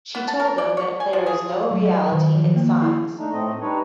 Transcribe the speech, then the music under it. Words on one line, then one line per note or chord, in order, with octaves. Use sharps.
She told them that there is no reality in signs.
B3
A5
A#4
D5
C#5
G#5
F3
G#4
F5
F#3
D#5
D#3
F3
A#3
E4
A3 D4 D#4
A2 A3 C4 D#5
G3 D4 D#4 B4 C#5